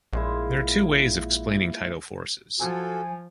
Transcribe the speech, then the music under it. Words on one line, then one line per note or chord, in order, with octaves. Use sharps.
There are two ways of explaining tidal forces.
A#1 A#2 G#3 E4
F3 F4 F#4 A4 G#5